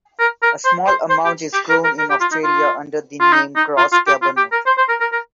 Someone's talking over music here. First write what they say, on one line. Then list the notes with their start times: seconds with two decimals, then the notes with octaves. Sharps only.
A small amount is grown in Australia under the name Gros Cabernet.
0.19 A#4
0.43 A#4
0.65 C5
0.87 C5
1.10 C5
1.25 G4
1.54 G4
1.70 A#4
1.84 A#4
1.99 A#4
2.10 G4
2.21 F4
2.32 D#4
2.44 F4
3.21 F4
3.33 D#4
3.56 D#4
3.78 F4
3.93 F4
4.07 G4
4.22 F4
4.37 G4
4.52 A#4
4.66 C5
4.78 C5
4.89 A#4
5.01 A#4
5.12 A#4